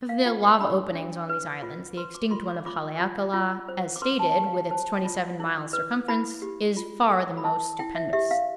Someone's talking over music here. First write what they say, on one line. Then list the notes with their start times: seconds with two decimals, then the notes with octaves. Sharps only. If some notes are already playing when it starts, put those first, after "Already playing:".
Of the lava openings on these islands, the extinct one of Haleakala, as stated, with its twenty-seven miles circumference, is far the most stupendous.
0.09 F5
0.26 F4 G5
0.43 G5
0.60 D4 B5
0.95 D4
1.29 B4
1.62 F4
1.97 B4 C6
2.15 D6
2.31 F4 C6
2.48 D6
2.66 F4 D6
3.00 F4
3.34 F4
3.68 C5
3.96 D6
4.02 B4 C6
4.19 A5
4.31 A5
4.36 G4 G5
4.46 F5
4.54 G5
4.71 C5 A5
5.05 F4
5.40 E4
5.73 B4
6.08 E4 B5
6.42 G4
6.77 F4
7.10 A4
7.37 B5
7.44 E4 A5
7.79 E4 G5
7.95 E5
8.13 G4 E5
8.31 F5